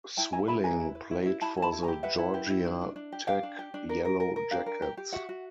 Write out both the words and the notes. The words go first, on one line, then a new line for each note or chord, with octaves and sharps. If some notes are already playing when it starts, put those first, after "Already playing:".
Swilling played for the Georgia Tech Yellow Jackets.
E4 G5 A5
E4 G#5 A#5
E4 A5 B5
B4 G#5 A#5
E4
B4
E4
E4
E4 A5 B5
E4
A5 B5
E4
G#5 A#5
G4
B4 E5 F#5
E4
G4
E4
D4
D4
D4
G4
G4 F5 G5
D4
G4
D4
A#4
A#4
A#4
A#4
D4 F5 G5
A#4
G4
G4
F#4 E5 F#5
F#4